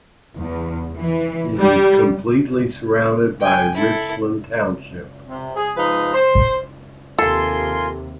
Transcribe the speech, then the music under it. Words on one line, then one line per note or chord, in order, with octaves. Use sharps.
It is completely surrounded by Richland Township.
E2
E3
G3
G5 G#5
E4 A4
C3
G#4
F3 G#3 D#4 B4
C5
D#2 C3 F4 A4 A#4 G#5 C6